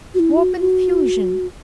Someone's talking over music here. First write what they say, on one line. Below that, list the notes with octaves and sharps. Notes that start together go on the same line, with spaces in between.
More confusion.
F#4
E4
F#4
F#4